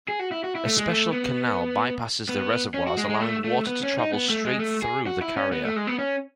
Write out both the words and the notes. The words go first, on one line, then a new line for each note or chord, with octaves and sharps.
A special canal bypasses the reservoirs allowing water to travel straight through the carrier.
G#4
F#4
E4
F#4
E4
A3
G#3
A3
B3
B3
C#4
F#4
G#3
G#3
A3
A3
B3
C#4
D#4
B3
A3
G#3
A3
G#4
F#4
E4
C#4
B3
A3
G#3
B3
C#4